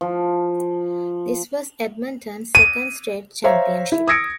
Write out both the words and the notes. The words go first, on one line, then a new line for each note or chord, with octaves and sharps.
This was Edmonton's second-straight championship.
F3
D#7
C5 C#5 E5 F5 A#5
E4
D#6 E6 G#6 A#6 C#7 D7